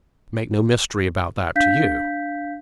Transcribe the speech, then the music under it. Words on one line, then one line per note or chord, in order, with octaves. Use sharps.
I make no mystery about that to you.
D4 F5 G6 B6